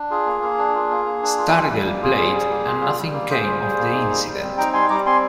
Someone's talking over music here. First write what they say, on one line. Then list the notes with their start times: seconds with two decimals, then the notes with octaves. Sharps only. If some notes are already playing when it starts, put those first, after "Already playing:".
Stargell played and nothing came of the incident.
Already playing: D4
0.11 F4 G#4
0.26 A#3
0.42 A#3
0.58 D4
0.74 F4
0.91 A#3
1.06 A#3
1.23 D4
1.38 F4
1.54 G3
1.70 G3
1.86 A#3
2.02 F4 G#4
2.18 G3
2.34 G3
2.50 A#3
2.66 F4
2.81 G3
2.98 G3
3.13 A#3
3.30 F4 G#4 C5
3.47 G3
3.63 G3
3.78 A#3
3.93 D#4
4.10 G3
4.25 G3
4.42 C4
4.57 D#4 G5 A#5
4.73 G3 G#5 C6
4.89 G3 A#5 D6
5.06 C4 G#5 C6